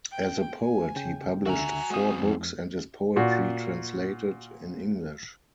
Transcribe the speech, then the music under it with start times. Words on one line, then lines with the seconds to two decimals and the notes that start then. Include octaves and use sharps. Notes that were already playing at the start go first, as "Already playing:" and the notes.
As a poet he published four books and his poetry translated in English.
0.11 G5
0.61 G#5
0.96 C#3 G5
1.46 C#2 D3 F#4 E5 G#5 A#5
1.90 G#3 C4 F#4 D#6
2.24 F2
3.16 A#2 F#4